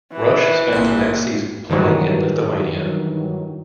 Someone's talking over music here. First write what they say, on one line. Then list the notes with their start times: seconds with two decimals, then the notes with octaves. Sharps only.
Rush spent the next season playing in Lithuania.
0.13 E3
0.73 A#1 A#2
1.70 G2 D#3 E3 F#3